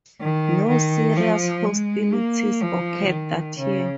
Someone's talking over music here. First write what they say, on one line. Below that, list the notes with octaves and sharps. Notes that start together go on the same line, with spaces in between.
No serious hostilities occurred that year.
D#3
D#3
F3
G#3
A#3
F3
D#3
C#3